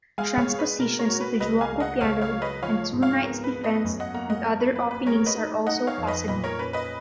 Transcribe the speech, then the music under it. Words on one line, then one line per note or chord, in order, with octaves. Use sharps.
Transpositions into Giuoco Piano and Two Knights Defense and other openings are also possible.
G#3 F5 G#5
C#5 F5
G#3
B4
B2 A#4
A#4 C#5
F#4
B4
C#2 B4 D#5
F5 G#5
C#2
D#5 F#5
C#2 C#5 F5
C#5 F5
F#3
B4 D#5
F3 C#5 F5
G#2
C#5 F5
B3 A#4
B4
B3
B4 D#5
F#2
D#5 F#5
A#3 F#5 A#5
D#5 F#5
A#3 A#4
B4
A#3 B4
B4
G#3 A#4 C#5
B4 D#5
D#4
D#4 D#5 F#5
C#5 F5
F2
B4 D#5
A#2 B4 D#5
A#4 C#5
C#4 B4
B4 D#5